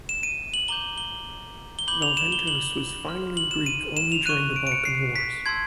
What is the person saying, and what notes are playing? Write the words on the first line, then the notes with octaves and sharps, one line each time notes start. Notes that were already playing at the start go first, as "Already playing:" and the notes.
Velventos was finally Greek only during the Balkan Wars.
E7
D#7
F#7
A#5 D6 G6 G7
G7
G7
B5 D6 G6 F#7
F7
E7
G7
F#7
C6 F6
F#7
E7
D#7
E7
F7
C#6 F#6 D#7
D7
D7
C#7
C7
B6
A5 C6 E6 G6 G#6